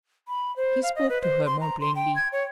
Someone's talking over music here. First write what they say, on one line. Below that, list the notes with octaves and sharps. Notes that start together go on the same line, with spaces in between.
He spoke to her more plainly.
B5
C5
F5
D#5
B4
C5
C6
A#5
C6
G5
G#6
C#5